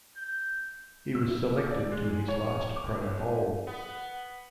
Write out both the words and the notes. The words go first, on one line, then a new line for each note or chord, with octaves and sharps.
He was selected to his last Pro Bowl.
G6
E6
E4
D6
D5
G#3
G#4
C#5
D6
F#1
B3